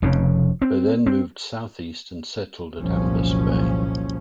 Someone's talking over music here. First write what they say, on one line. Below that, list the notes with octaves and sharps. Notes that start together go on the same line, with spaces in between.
They then moved southeast and settled at Ambas Bay.
F1 F2 C#3
C4
C4
F#1 C2 A#2 F3 C#4